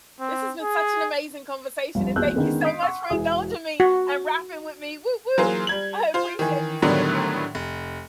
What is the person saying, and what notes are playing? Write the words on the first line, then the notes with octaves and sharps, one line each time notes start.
This has been such an amazing conversation, and thank you, so, much for indulging me and rapping with me! Whoop whoop! I appreciate you so much,
C4
G#4
G1 C2 F3
E1 A#1 E2 E6 F#6 G6
D#3 G#3 B3 C#4 D4
D#5 D#6 B6 C7 D7
F#5 C6 C#6 E6
E1 E4 F#4 G#4 D#6
F#4
E3 F#3 A#3 F4 G#4 C5
G3 G#6 F#7
F4 C5
D#3 E3
A2 D3 D#3 F#3 G3 B3
F1